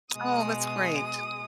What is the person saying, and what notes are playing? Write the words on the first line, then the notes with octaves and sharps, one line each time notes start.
Oh, that's great.
B2 G#3 D#6